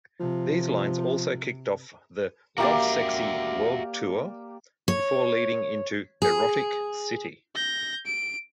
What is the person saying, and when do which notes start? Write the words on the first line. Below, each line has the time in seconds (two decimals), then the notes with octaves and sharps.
These lines also kicked off the Lovesexy World Tour, before leading into "Erotic City".
0.20 C3 F3
2.58 A#3 F#4 G4 D5 E5
4.88 C#5
6.22 G#4
7.55 G6 A#6
8.06 D7